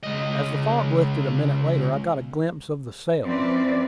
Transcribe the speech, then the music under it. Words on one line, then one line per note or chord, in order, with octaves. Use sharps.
As the fog lifted a minute later I got a glimpse of the sail.
C#2 D#5
F3 C4 C#4 E4 B4 D5